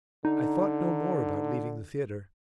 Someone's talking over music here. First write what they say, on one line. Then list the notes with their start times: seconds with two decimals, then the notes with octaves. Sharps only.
I thought no more about leaving the theatre.
0.25 D3 D#4